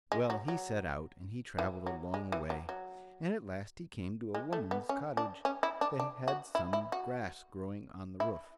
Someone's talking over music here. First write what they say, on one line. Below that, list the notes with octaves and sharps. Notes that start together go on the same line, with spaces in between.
Well, he set out, and he traveled a long way, and at last he came to a woman's cottage that had some grass growing on the roof.
G#3
F#3
F#3
E3
F#3
G#3
E3
F#3
F#3
G#3
A3
B3
C#4
D4
C#4
E4
D4
D4
F#4
E4
E4
F#4
E4